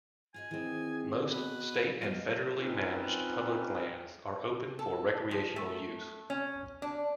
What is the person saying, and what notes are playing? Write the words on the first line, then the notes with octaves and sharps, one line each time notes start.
Most state- and federally managed public lands are open for recreational use.
F4 G#4 D#5 G#5
D#3 E3 C4 G#4
B2 B4
F#2 B2 G3 G#3 D#5 F5
C4 C#4 D#4 F4 B4
A4
F3
A3
C#4
D4